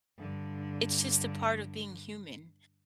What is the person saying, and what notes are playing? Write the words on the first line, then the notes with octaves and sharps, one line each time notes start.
it's just a part of being human,
G2 D3